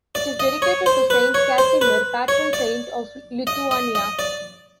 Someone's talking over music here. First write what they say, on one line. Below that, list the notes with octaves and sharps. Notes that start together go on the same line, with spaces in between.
It is dedicated to Saint Casimir, patron saint of Lithuania.
D5
D#5
C#5
C5
B4
C#5
C5
B4
C#5
D5
D#5
D#5
D#5
D5